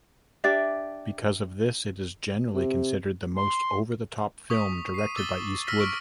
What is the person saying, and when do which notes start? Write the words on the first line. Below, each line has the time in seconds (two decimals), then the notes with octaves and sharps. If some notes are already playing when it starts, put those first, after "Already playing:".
Because of this, it is generally considered the most over-the-top film directed by Eastwood.
0.44 D4 G4 D5 E5
2.54 C3
3.37 C6
4.50 C#6 D#6 B6
4.94 C7 D#7
5.15 D6 E6 A6 G7
5.67 E6 F6 A#6 B6
5.80 C#6 F6 D7